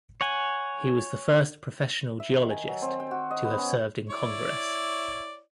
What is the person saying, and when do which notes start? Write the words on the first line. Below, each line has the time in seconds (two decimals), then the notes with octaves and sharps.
He was the first professional geologist to have served in Congress.
0.21 C#5 F#5 G#5
2.20 E5
2.35 D#3
2.50 G#5
2.68 F#3
2.82 C4
3.00 G5
3.11 F#4
3.31 D#5
3.45 B3
3.58 C#4
4.09 E4 C#5 D5